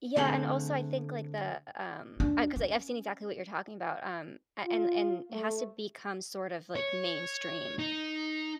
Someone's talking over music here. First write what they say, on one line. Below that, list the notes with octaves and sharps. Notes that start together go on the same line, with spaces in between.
Yeah, and also, I think, like, the, um, I 'cause I've seen exactly what you're talking about, um, and and and it has to become sort of, like, mainstream,
D3 A3 C4 G#4 A4
E2 D4
C#4
F4
A3
C#5
D#4